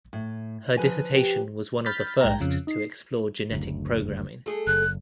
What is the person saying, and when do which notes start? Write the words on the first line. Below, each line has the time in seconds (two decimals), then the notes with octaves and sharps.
Her dissertation was one of the first to explore genetic programming.
0.13 A2
0.77 F3 B4 G#5
1.16 G4
1.86 B5 F6 G6 A6 B6
2.21 A#1 G#2 G5 A#5
2.40 F2 C#3 F3
2.67 D#4 C7
3.51 F#1 D2
4.46 A3 G#4
4.67 F#1 F#6